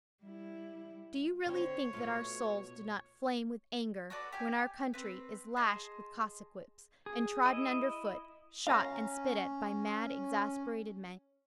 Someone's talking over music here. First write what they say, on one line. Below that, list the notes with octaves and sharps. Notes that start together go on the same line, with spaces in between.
Do you really think that our souls do not flame with anger when our country is lashed with Cossack-whips, and trodden under foot, shot and spit at by mad, exasperated men?
G3 E4
D3 C4 C#5
B2 A3 F4
F#4 A4 B4 D5
G4 G5 G#5
C4 B4
G#4 D#5 A5 C6
G#4
E4 D#5
C#4 F5 A#5